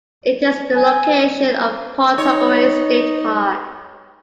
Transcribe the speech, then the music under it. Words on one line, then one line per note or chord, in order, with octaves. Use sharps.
It is the location of Pawtuckaway State Park.
G#5
D#4 C#5